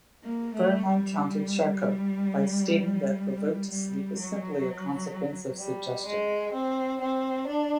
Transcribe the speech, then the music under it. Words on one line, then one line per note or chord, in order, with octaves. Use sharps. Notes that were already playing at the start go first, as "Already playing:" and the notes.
Bernheim countered Charcot, by stating that provoked sleep was simply a consequence of suggestion.
A#3
A3
G3
G3
F#3
G3
G#3
C4
C4
D4